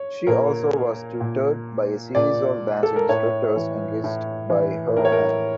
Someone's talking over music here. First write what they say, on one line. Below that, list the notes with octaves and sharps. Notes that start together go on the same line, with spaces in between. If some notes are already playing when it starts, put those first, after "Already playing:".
She also was tutored by a series of dancing instructors engaged by her aunt.
Already playing: C#5
A#2 A#4
A#2
A#2 D5
A4
A#4
A2 C#5
E3
A2
E3
A2 A#4
C#5
A#4